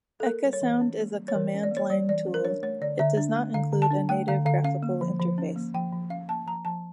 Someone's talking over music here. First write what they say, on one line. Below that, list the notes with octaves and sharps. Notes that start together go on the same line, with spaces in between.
Ecasound is a command-line tool: it does not include a native graphical interface.
A4
A#3 A#4
G3
C#5
E3
C#4
A#3
G3
C#5
E3 A#4
C#4
D5
A#3
C#5
G3 D5
E3 D5
C#4
A#4
D4 C#5
A3 C#5
D3 D5
D3 E5
D4
A3
D3 F5
D3
A5
D4
A3 G5
D3 F5
D3 F5
C#4 F5
A#3
F3
F3
C#4
A#3
F3 G5
F3
C#4 F5
A#3 A5
F3 A#5
F3 A5